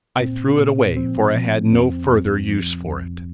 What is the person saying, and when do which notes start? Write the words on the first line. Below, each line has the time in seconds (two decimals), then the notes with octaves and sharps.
"I threw it away, for I had no further use for it."
0.21 A#2 C4
0.59 A#2
0.97 F3 C4
1.35 F3
1.73 F2 C4
2.11 F2
2.49 F3
2.86 F2